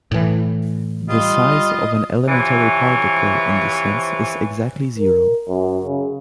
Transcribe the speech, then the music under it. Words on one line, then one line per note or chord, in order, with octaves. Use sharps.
The "size" of an elementary particle, in this sense, is exactly zero.
A2 E3
G3 F4 D#5
C3 E3 F3 C#5
A#4
F#2
C#3